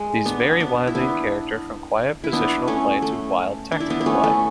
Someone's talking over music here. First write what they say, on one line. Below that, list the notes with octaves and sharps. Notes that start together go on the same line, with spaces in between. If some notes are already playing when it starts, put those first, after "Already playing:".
These vary widely in character from quiet positional play to wild tactical play.
Already playing: G#3
B3 D4
B3 D4
E4
B3 D4
E4
B3 D4
A3 C#4
A3
D4
E4
B3 D4
B3
A3 C#4
A3 C#4